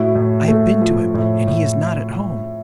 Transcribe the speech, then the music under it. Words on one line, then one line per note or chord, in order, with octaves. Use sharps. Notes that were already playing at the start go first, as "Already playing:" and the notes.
'I have been to him, and he is not at home.
Already playing: A2 E4 F#4
A2
A3
F3
A2
A2